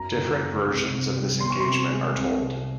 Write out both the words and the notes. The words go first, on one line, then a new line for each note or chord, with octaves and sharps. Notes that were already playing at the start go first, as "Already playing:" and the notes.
Different versions of this engagement are told.
Already playing: F#2 A#5
C#3
F#2
C2
C3
G3
E2 C6
C#6
C6
C3
G#3
C2
C3